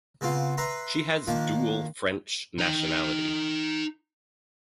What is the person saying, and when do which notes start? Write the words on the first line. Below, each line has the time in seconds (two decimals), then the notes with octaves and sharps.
She has dual French nationality.
0.21 C#3 B3 C4 F4
0.57 B4 E5 A#5 C6
1.27 D#3 F3 A#3 D4
2.58 D#4 G5